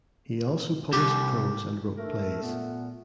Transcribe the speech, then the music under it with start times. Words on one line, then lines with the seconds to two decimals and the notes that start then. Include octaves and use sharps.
He also published prose and wrote plays.
0.93 C2 G4
1.97 A3 D4 A4 A#4
2.42 A#2 B3